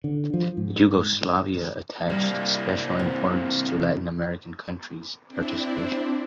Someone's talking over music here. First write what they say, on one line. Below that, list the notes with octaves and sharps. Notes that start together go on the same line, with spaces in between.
Yugoslavia attached special importance to Latin American countries participation.
D3
F3
G#2
C2 G3 A#3
C3
C4 D4 E4